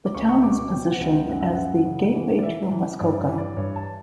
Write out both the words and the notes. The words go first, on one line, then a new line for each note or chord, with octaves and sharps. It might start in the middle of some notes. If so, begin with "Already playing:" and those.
The town is positioned as the "Gateway to Muskoka".
D6
C#2 C#6
C#6
B2 D6
C#6
D6
B2 G5
G5
F#5
C#2
G5
F#2 F#5
E5
F#2 F#5
C#3
E3
D5
E3 E5
E3
G2 D5
C#5
E3
D5
G2 C#5
A5